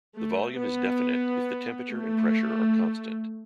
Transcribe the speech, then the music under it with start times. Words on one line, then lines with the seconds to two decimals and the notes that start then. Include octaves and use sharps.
The volume is definite if the temperature and pressure are constant.
0.14 A3
0.59 B3
1.90 A3